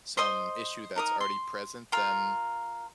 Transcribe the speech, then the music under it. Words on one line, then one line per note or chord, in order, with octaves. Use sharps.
some issue that's already present, then
C5 D#5 C6 D#6
D#4 A#4 D#6
C6
F4 A#4